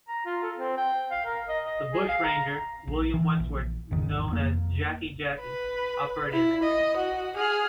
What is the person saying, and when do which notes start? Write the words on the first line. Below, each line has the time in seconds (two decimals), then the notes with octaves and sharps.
The bushranger, William Westwood, known as "Jackey Jackey", operated in the area.
0.08 A#5
0.25 F4
0.43 A4
0.56 C4
0.78 G5
1.11 F5
1.25 A#4
1.48 D#5
1.65 D#5
1.92 G#4
2.09 F5
2.24 A#5
2.87 A#1
3.14 E3
3.40 A#1
3.91 G#1 E2 D#3
4.29 F2 A#3
5.40 B4
6.33 E4
6.63 D#5
6.97 F#4
7.37 G#4 F6